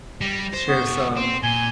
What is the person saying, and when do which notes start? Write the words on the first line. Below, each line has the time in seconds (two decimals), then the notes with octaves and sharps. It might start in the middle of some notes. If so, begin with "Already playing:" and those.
share some
0.21 G3 A#6
0.53 C5
0.67 B3 C#6
0.86 E2 B2
1.16 C4 C6
1.43 A#2 G#5 G7